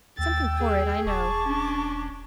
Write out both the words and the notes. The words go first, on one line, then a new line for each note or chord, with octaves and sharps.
Something horrid, I know.
D#2 G5 E6 A6
G#4
E1 A5 C#6 D6
C#4 D4